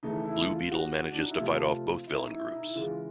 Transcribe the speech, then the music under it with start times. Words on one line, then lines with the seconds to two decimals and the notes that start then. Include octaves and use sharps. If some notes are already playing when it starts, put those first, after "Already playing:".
Blue Beetle manages to fight off both villain groups.
0.03 C#3 E3 A3 D#4
0.26 E4
0.49 F4
0.71 F#4
1.12 D4
1.21 D#4
1.31 E4
1.39 C3 F3 A3 F4
2.07 E4
2.19 D#4
2.32 E4
2.54 D#4
2.64 E4
2.75 C#3 E3 G#3 F4